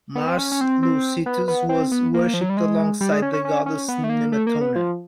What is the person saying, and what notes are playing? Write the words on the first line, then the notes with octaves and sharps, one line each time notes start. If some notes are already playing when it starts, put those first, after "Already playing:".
Mars Loucetius was worshipped alongside the goddess Nemetona.
B3
C4
C#4
C#4
C4
C4
B3
B3
C4
B3
A#3
F3
F#3
G3
G#3
G3
G#3
C#4
C#4
C#4
C#4
B3
A3
A#3
A3
A#3
B3
F3